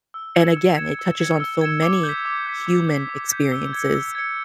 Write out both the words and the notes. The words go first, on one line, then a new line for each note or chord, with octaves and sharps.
And, again, it touches on so many human experiences
E6
G#6 C#7 E7
E6
G#6 C#7 E7
E6
G#6 C#7 E7
E6
G#6 C#7 E7
D6
G6
B6
D6
G6 B6
D6
G6 B6
D6
G6 B6
E6
G#6 C#7
E6
G#6 C#7